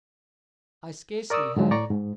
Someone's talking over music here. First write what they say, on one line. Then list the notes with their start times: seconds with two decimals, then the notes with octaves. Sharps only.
"I scarcely have."
1.30 A#4 D5 C#6 D#6 E6
1.56 G#2 D3 F3 F#3 G#3
1.71 A2 D5 A#5 C#6
1.90 G#2